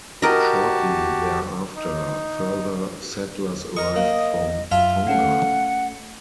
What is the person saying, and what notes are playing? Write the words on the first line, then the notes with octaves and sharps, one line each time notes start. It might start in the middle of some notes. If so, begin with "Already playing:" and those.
Shortly thereafter, further settlers arrived from Tonga.
F#4 G4 A#4 D#5 A5
D#4
A#4 D#5 C#6 D#6
A#3
F#2 F4 E5 F5
A3 C#4 A4 F#5